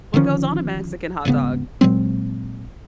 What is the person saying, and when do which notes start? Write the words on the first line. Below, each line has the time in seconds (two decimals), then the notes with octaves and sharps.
What goes on a Mexican hot dog?
0.14 D3 D#3 F3 C#4
1.25 D#1 G#1 C#3 B3
1.81 A#2 F#3 G#3 C4